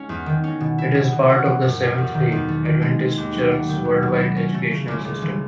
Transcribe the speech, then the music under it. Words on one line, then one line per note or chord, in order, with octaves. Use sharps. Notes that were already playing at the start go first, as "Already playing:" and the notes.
It is part of the Seventh-day Adventist Church's worldwide educational system.
Already playing: G#3 C#4
E2
D#3
C#4
B2
E4
B2
B2
F#4
E3
F#2
F#2
E2
D#3
E2
A3
D#3
G#3
G#3
D#2
F#3
A3
D#3
F#3
B2
E4
C#4
A3
C#3
C#2
C#2
E3